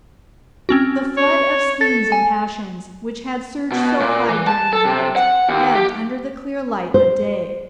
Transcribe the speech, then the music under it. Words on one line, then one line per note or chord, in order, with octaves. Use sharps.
The flood of schemes and passions, which had surged so high during the night, ebbed under the clear light of day.
C4 C#4 F#4
C#5
A4 A6
G#5
B2
A#2
E3
A5
A4
C3
F#5
D#2
G4
C5